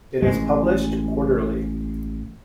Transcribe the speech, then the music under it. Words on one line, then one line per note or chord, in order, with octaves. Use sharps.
It is published quarterly.
A1 G#3